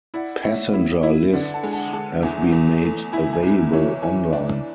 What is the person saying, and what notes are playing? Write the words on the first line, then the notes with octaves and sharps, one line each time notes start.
Passenger lists have been made available online.
E4 D5 F#5
E4 C#5 E5
E4
E4
D3 B4 D5
F#5 A5
G#3 G#5
F#5 A5
G#3 F#5 A5
E2 E5 G#5
E2
A3
E4 E5 G#5
E5 G#5
E2
E3 C#5 E5
E3 E5 G#5
D4